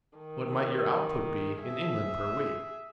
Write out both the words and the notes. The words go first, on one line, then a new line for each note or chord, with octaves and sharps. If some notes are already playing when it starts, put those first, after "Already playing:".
What might your output be in England per week?
D#3
G#4 E5